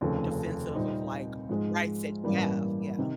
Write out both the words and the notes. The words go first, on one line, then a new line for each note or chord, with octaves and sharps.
defensive of, like, rights that you have, yeah.
F1 D#2 C#3 F3 A3
C2 A#2 G3 C4 D#4
G#2 F3 G#3
A1 G2 E3 G3 A#3
C3 D#3